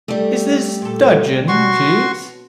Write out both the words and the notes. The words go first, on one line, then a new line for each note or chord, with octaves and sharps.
Is this dudgeon, Jeeves?
G3 A3 G4 A4
A#2 A4
B2 C#4 F#4 C6 C#6